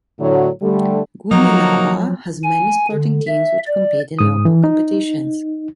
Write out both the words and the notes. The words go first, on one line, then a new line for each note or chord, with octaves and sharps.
Goonellabah has many sporting teams which compete in local competitions.
A2 D3 F#3
D3 G3 A3
F3 F#3 A#3 D#4 F#4
G#5
D3
E5
D5
G#2 D#6
E3
D#4